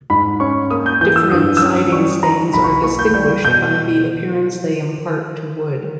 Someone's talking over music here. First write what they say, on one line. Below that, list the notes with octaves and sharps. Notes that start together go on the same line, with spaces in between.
Different siding stains are distinguished by the appearance they impart to wood.
G#2 B5
C#4 C#6
A#3 D#6
G6
E3 G6
E6
G2 D#6
E6
C#4 D#6
G3 C#6
D#3 A#5
B1 B5
C#6
B5
A#3 C#6
G6
G3 G6
B2 G6